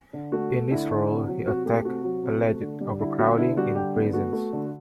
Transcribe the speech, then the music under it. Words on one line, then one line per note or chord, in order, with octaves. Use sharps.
In this role, he attacked alleged overcrowding in prisons.
D3
A3 F#4
A3
D3 E4
D3
C3
F#3
C3 F#4
A3 G4
C3 F#4
F#3
C3
A3
D3
G3
D3 E4
B3 F#4
D3 E4
G3 F#4
D3 G4
B3
A3 F#4
A3
D3